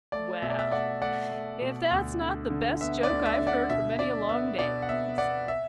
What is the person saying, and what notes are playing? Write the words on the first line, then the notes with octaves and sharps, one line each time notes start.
"Well, if that's not the best joke I've heard for many a long day," he said.
A3 D5
B2 E5
D5
E5
A3 D5 F#5
A3 D5 F#5
A3
B2
D2
D3
D3
B3 E5
D5
D2
E5
D3
D5 F#5
B2 E5
B2 D5
B3 E5
B2 D5
F#5
B3 E5
B3 D5 F#5
E5